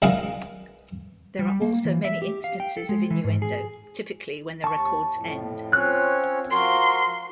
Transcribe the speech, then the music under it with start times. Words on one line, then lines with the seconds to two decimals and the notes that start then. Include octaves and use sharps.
There are also many instances of innuendo, typically when the records end.
0.02 C#2 F#2 D#3 E4 G#4 F5
1.39 G3
1.62 A#3
1.85 E3
2.04 E5
2.22 G4
2.44 F5
2.60 G5
2.77 A4
2.89 G#3
3.11 E3
3.24 G#2
3.42 G#4
4.64 D#2 A5 C#6
5.12 F2 A2
5.73 C4 C#4 F4 C#5 F#6
6.50 F3 F#4 A#4 C6